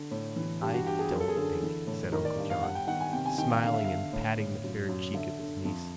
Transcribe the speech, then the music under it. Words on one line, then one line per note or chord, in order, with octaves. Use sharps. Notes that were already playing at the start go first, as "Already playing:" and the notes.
"I don't think," said Uncle John, smiling and patting the fair check of his niece.
Already playing: D3
A2
E3
G2 G4
F#4
G2 G4
G#4
F#2 A#4
A4
G#4
D3 A4
E3
A2
D#3 A#4
D5
G2
F5
G2 F#5
G5
D#3 F#5
G#5
C3 G5
G#5
D#3 G5
F5
D3 F5
E5
D3 F5
A2
A2
F#2
F#2
D3 E5
D3
F2